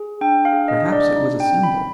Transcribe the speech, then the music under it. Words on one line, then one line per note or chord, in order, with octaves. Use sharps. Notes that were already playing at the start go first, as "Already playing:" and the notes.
Perhaps it was a symbol.
Already playing: G#4
D4 G5
F5
G#4
D#5
D4
D5
D#4
G5
C4
B5